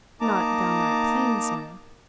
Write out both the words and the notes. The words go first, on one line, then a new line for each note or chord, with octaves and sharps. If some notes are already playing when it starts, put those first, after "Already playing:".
"Not downright plain, sir?"
A#3 D#4 A5 A#5 D6